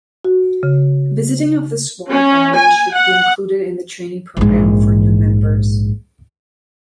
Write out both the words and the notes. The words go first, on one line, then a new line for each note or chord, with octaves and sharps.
Visiting of this wall valley should be included in the training program for new members.
F#4
C#3
C#4
G#5
F#5
A#1 G#2